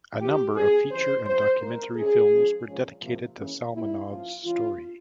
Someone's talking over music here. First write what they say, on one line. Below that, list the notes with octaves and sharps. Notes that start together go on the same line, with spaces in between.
A number of feature and documentary films were dedicated to Salmanov's story.
C3 E3 G#3 C4 G4
E3 G3 C4 G#4
C#3 E3 G3 C4 C5
C3 F3 C4 C5
C3 G3 A#3 A#4
C3 G3 C#4 G#4
F3 G#3 C#4
A#2 F3 G#3 C#4
C3 F3 A#3
C#3 E3 A#3 C#4
A#2 G3 C4 E4
F3 A#3 C#4 F4
C#3 E3 G#3 F4